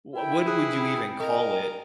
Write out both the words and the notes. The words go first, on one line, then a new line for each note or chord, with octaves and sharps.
wha what would you even call it?
E4 G5
G#4 F#6
G5
A#4 D#5